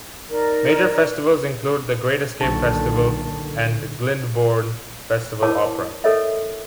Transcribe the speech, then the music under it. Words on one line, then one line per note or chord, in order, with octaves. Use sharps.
Major festivals include The Great Escape Festival and Glyndebourne Festival Opera.
D#4 A#4 D5
B1 A#2 D3 D#3 A4 A5 C#6
E4 A#4 C#5 A5 D6
A4 A#4 C#5 D#5 E5